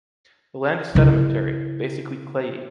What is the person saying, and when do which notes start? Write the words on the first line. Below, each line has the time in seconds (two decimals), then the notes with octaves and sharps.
The land is sedimentary, basically clayey.
0.95 C#3 E4